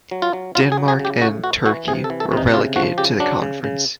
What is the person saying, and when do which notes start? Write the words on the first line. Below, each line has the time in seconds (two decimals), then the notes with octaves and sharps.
Denmark and Turkey were relegated to the Conference.
0.11 F#3
0.22 F4
0.33 F#3
0.55 F#3 F4
0.72 G#4
0.77 F#3
0.88 G#4
0.99 C#3
1.05 G4
1.21 A2 F#4
1.44 E3 F#4
1.66 E3 F#4
1.88 C3 G#4
2.04 A4
2.10 E3
2.20 A4
2.32 C3
2.37 D#4
2.54 C#3 F4
2.76 F3 F#4
2.98 C#3 G4
3.20 F#3 D4
3.42 C#3
3.64 C#3